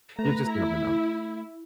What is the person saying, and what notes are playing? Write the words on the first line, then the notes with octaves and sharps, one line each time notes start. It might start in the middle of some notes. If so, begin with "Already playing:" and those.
you just never know.
A3 B4 A#5
E4